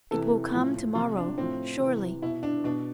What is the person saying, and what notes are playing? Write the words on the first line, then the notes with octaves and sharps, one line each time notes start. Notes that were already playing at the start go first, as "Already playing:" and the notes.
"It will come to-morrow, surely."
C3 E3 A4
A2 F3
C3 F3 F4
D4
A2 F3 C4
C3
E3
B2 E4
D4
B2 D4